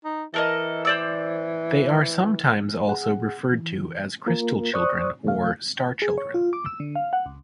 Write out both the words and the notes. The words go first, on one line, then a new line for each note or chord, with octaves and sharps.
They are sometimes also referred to as crystal children or star children.
D#4
E3 A4 A#4 D#5
C5 D5 E6
G#4 F#5
E3
A#3 F4 A#4
C5 D5 C#6 D#6 F#6
E2 C3 A3 F5
G#4
C#5
F4
D6
E6
D3
F5
F#5
C#2